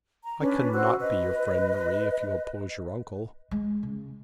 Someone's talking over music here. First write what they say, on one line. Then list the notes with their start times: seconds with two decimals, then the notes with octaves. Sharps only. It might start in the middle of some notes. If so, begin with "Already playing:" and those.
'I cannot be your friend, Marie, if you oppose your uncle.
0.23 A#5
0.40 C#4 D4 B4
0.73 F#4 C5 E6 F#6
1.00 B4 D#5
3.51 G#3
3.83 C#3